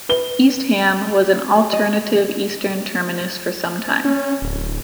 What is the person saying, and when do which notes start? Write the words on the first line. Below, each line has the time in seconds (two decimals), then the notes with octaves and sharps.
East Ham was an alternative eastern terminus for some time.
0.09 B4 G7
1.73 D#5
4.05 C#4
4.42 D1